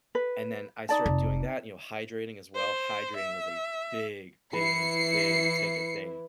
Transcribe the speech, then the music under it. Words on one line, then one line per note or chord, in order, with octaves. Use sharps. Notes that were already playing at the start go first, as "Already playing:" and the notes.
And then I started doing that, you know, hydrating as well. Hydrating was a big, big, big ticket thing,
B4
D#4 D5 A5
F1
C5
E5
E3 E4 B4 C7 C#7